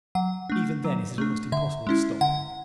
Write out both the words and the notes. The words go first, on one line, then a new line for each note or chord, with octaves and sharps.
Even then it is almost impossible to stop him.
F#3 F#5
A3 D4
F#3
A3 D4
D3 E5
G#3 C#4 E4
D3 F#5